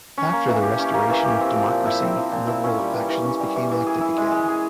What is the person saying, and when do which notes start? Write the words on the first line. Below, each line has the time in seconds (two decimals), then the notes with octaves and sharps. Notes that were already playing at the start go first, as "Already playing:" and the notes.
After the restoration of democracy liberal factions became active again.
0.18 C#4
0.33 A#3
0.48 E3
0.63 G4
0.79 C#4
0.94 A#3
1.10 E3
1.24 G4
1.41 C4
1.56 F3
1.71 A#2
1.87 E4
2.02 C4
2.17 F3
2.32 A#2
2.47 E4
2.64 C#4
2.79 G3
2.94 E3
3.09 E3
3.25 C#4
3.40 G3
3.56 E3
3.71 E3
3.87 G#4
4.01 E4
4.17 G#3
4.32 G#3
4.48 G#4